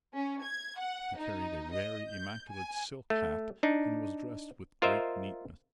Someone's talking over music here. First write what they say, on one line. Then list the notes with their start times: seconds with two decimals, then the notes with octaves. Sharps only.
He carried a very immaculate silk hat and was dressed with great neatness.
0.13 C#4
0.43 G#6
0.78 F#5
1.17 D#4
1.74 D#5
2.09 G6
2.51 G#5
3.10 A3
3.63 D4 D#4
4.82 F4 A#4 C5 D#5 E5